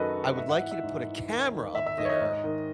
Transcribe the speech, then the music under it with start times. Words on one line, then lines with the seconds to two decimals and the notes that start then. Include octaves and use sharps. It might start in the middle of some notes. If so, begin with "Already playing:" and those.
I would like you to put a camera up there,
Already playing: F#2 D#3 D#4 F#4 A4 B4 D#5
0.14 D#3
0.37 G#2 E5
0.49 F#5
0.60 E3 E5
0.71 E5
0.83 G#2
1.06 E3
1.29 D#2
1.52 D#3
1.75 D#2 E5
1.86 E5
1.98 D#3 D#5
2.05 C#5
2.09 D#5
2.21 G#2
2.44 D#3